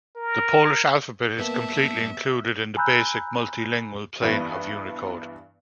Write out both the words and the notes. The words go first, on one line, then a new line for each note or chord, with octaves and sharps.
The Polish alphabet is completely included in the Basic Multilingual Plane of Unicode.
A#4
G2 A#3 B3 E5 A5
G#5 A#5 B5 E6 F#6 G6
G2 E3 B3 B4